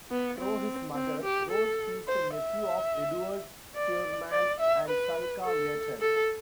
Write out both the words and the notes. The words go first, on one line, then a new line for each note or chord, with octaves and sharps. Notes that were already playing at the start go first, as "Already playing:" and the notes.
Through his mother, Rose, he is the nephew of Eduard Steuermann and Salka Viertel.
B3
C4
C4
G4
A4
C5
E5
D5
D5
E5
B4
A4
A4